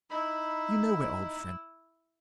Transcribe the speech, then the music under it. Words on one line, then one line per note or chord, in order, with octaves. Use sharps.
You know we are old friends.
D#4 E4 B5